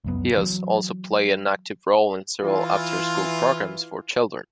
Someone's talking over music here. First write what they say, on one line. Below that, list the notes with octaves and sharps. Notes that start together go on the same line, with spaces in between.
He has also played an active role in several after-school programmes for children.
C#2 F#2 B3
E3 F#3
E3 F4